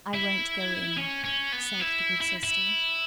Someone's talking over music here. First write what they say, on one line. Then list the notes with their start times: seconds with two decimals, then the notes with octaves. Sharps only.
"I won't go in," said the good sister.
0.15 E4
0.97 C#4
1.24 C#4
1.52 B3
1.80 E4
2.21 E4
2.43 E4